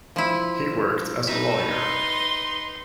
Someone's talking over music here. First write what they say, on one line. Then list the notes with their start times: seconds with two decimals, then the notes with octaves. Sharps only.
He worked as a lawyer.
0.16 F3 E4
1.27 D#4 B4 E5
1.73 C6